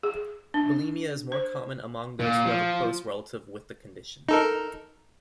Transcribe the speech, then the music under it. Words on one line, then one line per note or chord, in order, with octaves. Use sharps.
Bulimia is more common among those who have a close relative with the condition.
G#4
D4
C5
A#2
F3
D#4 A4 A#4